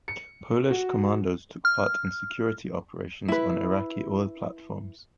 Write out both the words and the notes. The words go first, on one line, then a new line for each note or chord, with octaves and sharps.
Polish commandos took part in security operations on Iraqi Oil Platforms.
C#7
F#4
F6
E4 B4